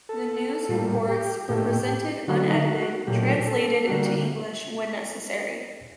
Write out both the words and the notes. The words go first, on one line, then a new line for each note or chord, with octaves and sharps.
The news reports were presented unedited, translated into English when necessary.
A4
A2 G3 A#3
G4
A2 A3 G4
D3 F#3 A3 F#4
D#4
F#4
A#2 F#3 A3 G4
A4
D3 G3 A#3 F#4